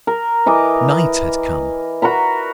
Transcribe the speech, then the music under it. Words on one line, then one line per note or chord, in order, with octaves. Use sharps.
Night had come.
A#4
E3 D#5 D6
F#4 A#4 A#5 B5